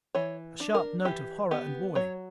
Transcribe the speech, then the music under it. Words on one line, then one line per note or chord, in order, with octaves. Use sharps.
A sharp note of horror and warning.
E3 C#5
D4
A#4
E3 G4
B3 G4
F#3 C#5